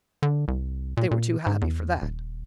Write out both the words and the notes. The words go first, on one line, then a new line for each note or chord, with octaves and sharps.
They were too happy for that.
D3
C2
A#2
A#2
G#2
E2
D#1